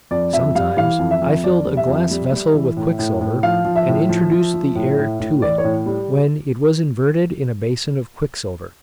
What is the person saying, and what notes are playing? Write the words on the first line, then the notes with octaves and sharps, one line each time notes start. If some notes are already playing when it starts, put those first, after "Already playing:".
Sometimes, I filled a glass vessel with quicksilver, and introduced the air to it, when it was inverted in a bason of quicksilver.
F2 D5
F2 E5
G3 F5
E3 F5
F2
E5
F2
F2 D5
G3
E5
F2
G3
G3
E3
A2
A2
A2
F3 F5
F3
E5
A2
F3
F3
F3
A2
A2
A2
E3 D5
C#5
A2
G3